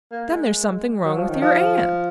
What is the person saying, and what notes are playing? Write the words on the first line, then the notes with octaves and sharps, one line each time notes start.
"Then there's something wrong with your aunt!"
A#3
G#3
F#3
F3
D#3
F3